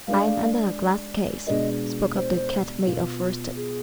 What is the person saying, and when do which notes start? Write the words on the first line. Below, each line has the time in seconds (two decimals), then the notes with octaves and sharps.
"I am under a glass case," spoke up the Cat-made-of-worsted.
0.07 G#3 D4 G#4 D5 F5
1.47 B2 G#3 D4 G#4 D5 D#5
2.16 C5
2.86 B2 B3 F4
3.56 G#4